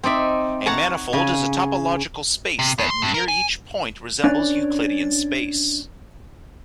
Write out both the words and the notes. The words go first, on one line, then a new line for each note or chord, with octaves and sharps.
A manifold is a topological space that near each point resembles Euclidean space.
C4 D#4 D5 E5
C#5 F#5 A5 A#5
C#3 G#5
C3
E2
C6
G2
A#4
G#5
C#4 D4 B4 C#5 D5